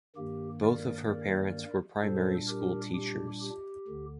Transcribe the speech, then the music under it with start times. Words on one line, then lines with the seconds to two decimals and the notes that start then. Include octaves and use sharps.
Both of her parents were primary school teachers.
0.16 G2 D#3 A#3 G4
0.63 A#4 D5
1.09 A#4 D5
2.01 A#2 G3 D4 A4 C5
2.48 G4 A#4
2.94 G4
3.41 G4
3.88 D2 D3